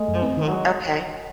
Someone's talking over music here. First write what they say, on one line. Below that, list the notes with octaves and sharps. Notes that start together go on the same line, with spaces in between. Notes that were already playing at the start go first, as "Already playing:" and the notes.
Mhm, okay.
Already playing: G#3 A3
F#2
C4
D#3
F#3 G#3